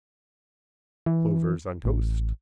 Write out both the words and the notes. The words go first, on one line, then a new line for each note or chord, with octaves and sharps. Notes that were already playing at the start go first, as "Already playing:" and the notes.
Plovers on toast.
E3
A1